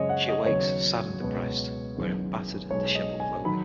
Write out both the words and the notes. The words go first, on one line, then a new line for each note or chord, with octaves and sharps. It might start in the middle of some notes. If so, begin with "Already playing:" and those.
She awakes, sad and depressed, wearing battered and disheveled clothing.
Already playing: F#2 C#3 G#3 C#5 D#5
F#5
D#5
D#2 C#3 F#3 B3 C#5
C#2 B2 B3
F#1 F#2 D#3 G#3 B3
B1 B2 G#3 C#5
D#5
G#5
D#3 F#3 B5